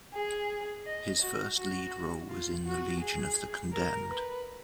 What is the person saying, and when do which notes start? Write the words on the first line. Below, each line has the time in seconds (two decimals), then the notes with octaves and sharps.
His first lead role was in "The Legion of the Condemned".
0.14 G#4
0.85 D#5
1.22 F#4
1.58 F#4
2.29 F4
2.65 F#4
3.01 G#4
3.72 A#4
4.09 B4